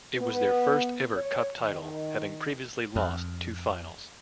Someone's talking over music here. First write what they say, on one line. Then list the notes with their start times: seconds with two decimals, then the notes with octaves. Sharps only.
It was their first ever cup title having previously lost two finals.
0.17 B3
1.16 C#5
1.61 D#3
2.96 F2